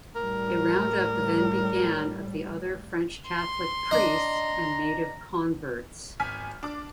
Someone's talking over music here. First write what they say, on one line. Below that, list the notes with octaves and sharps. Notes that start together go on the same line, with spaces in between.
A roundup then began of the other French Catholic priests and native converts.
A2 G3 A#4
C6
D4 D#5 A#5
G#1 G#5 F6 B6
D4 D6